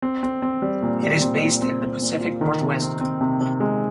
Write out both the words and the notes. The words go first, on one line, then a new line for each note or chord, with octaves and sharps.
It is based in the Pacific Northwest.
C4
C4
C4
G3
A#2
G3
C4
A#2
C4
C4
A#2
F4
D#3
C3
C4
C4
C3
C3
G#3